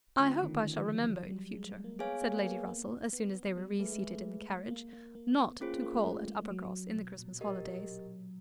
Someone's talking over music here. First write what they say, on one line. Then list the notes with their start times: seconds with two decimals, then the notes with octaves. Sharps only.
"I hope I shall remember, in future," said Lady Russell, as soon as they were reseated in the carriage, "not to call at Uppercross in the Christmas holidays."
0.19 D3 A3 C#4 F4
0.42 D#3
0.79 F3
0.94 F#3
1.10 F#3
1.32 G3
1.54 G#3
1.69 G#3
1.84 A#3
1.99 B3 G#4 C#5 F5 G#5
2.22 A#3
2.37 A#3
2.45 B3
2.67 A#3
3.13 B3
3.35 B3
3.58 G3
3.79 A3 G#4 B4 E5
3.92 G#3
4.02 G#3
4.14 A3
4.71 A#3
4.93 A#3
5.15 A#3
5.37 B3
5.60 A#3 C#4 F4 G#4 C5
5.82 A#3
5.95 G#3
6.06 A3
6.28 G#3
6.51 F#3
6.96 B2
7.18 A#2
7.41 G4 A#4 D#5